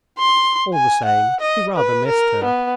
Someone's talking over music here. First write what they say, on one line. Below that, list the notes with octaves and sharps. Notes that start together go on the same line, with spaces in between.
All the same, he rather missed her.
C6
G#5
F#5
D#5
B4
A#4
B3